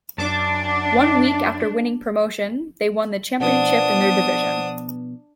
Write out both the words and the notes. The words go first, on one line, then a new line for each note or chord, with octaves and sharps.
One week after winning promotion, they won the championship in their division.
F#2 D4 A5 D6
B2 F3 B3 D4 C5 D5 F#5 D#6